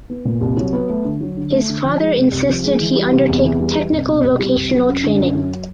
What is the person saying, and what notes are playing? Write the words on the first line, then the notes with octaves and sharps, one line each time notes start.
His father insisted he undertake technical vocational training.
B3
A#2
C2
F#3
B3
A3
D3
F#3
D3
A3
D3
F3
G#3
C3
C2
F3
G#3
E3
G3
C3
E2
E3
G3
G3
C2
B2
C2
G3
C2
F#3
F#2
D3
F#2
F#3